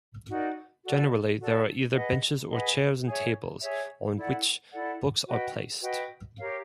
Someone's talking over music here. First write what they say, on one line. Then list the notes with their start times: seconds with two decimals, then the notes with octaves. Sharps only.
Generally, there are either benches or chairs and tables, on which books are placed.
0.29 D#4 F#4 A#4 D5
0.84 F#4 A4 D5
1.40 F#4 A4 D5
1.95 G#4 B4 D#5 F#5
2.50 G#4 B4 D#5 F#5
3.05 G#4 C#5 E5
3.61 G#4 C#5 E5
4.16 E4 A4 D5 F#5
4.71 E4 A4 D5 F#5
5.28 F#4 B4 D#5 G5
5.82 F#4 B4 D#5 G5
6.38 G4 A#4 C#5 F5